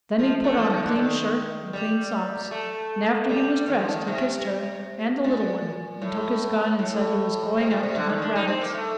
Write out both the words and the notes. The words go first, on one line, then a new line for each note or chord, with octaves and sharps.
Then he put on a clean shirt and clean socks, and after he was dressed he kissed her and the little one and took his gun and said he was going out to hunt rabbits.
F3
A3
F3
D#3
D3
D#3
G3
A3
G3
D#3
F3
D#3
C3
A#2
A2
A2
C3
A#2
C3
D3
D#3
D4
D#4
C4
A#3
A3